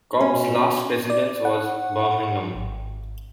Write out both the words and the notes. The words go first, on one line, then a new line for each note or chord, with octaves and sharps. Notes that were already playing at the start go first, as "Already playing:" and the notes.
Cobb's last residence was Birmingham.
B2 C#4
D5
F#5
G#1